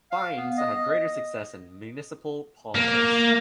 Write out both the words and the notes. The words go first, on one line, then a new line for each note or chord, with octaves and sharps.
Fines had greater success in municipal politics.
F5
B3
D#5
A#3